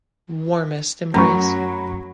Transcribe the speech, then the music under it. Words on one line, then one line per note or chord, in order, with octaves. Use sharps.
Warmest embrace.
F#2 F#3 A3 C#4 A#5 B5 C#6